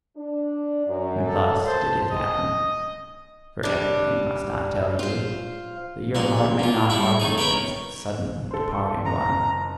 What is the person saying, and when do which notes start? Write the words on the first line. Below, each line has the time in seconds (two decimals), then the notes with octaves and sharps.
And thus did it happen--for everything must I tell you, that your heart may not harden against the suddenly departing one!
0.17 D4
0.88 F#2
1.27 A4
1.65 C5 A5
2.11 D#5
3.63 G3 D4
4.99 F4 C5
6.15 A#1 A#2 G#3 C6
6.59 A#3 F4
6.90 G3 G#3 E4 E5
7.20 A3 D#4 G#4
7.38 A#4 B4 C#5 G5
8.51 A4 C5
9.06 F#1 A#5